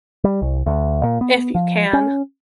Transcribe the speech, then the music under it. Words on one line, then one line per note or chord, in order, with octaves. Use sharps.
If you can.
G3
C2
D2
A#2
B3
F3
C#4